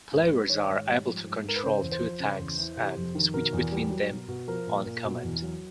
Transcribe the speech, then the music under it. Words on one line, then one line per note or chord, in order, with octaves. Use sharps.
Players are able to control two tanks and switch between them on command.
G#2
B4
G3
D#3 C#5
G#2
G3
F3
G#2
G#2 A#4
B4
C#3 C5
E2
C5
F3
C#3
E2
E3
C3
F2
D#3
B2 A#4
E2
G3
F#3
B2
B2
F3 A#4
A#2
A#2
B2
E2
F#3